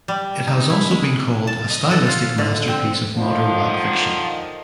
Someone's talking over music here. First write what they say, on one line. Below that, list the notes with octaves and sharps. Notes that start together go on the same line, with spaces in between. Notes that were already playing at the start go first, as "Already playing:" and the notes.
It has also been called "a stylistic masterpiece of modern black fiction".
G3
D#4
E4
G#3
A5
D#5
A4
F4
D3
C4
D3 D#3 F3